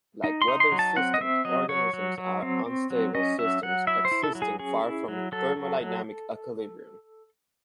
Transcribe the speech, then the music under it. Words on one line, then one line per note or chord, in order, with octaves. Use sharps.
Like weather systems, organisms are unstable systems existing far from thermodynamic equilibrium.
D#4
C6
D#4
C6
F#3
A5
C4 F#5
D#5
C4 E5
F#3 D#5
F#3 C#5
F#3
F#3
C4
C4
F#3
C#4 D#5
F#3 E5
F#3 F#5
E4 E5
C5
E4
A4
F#3
G#4
C#4 G#4
E4
F#3
F#3 A4
F#3
F#3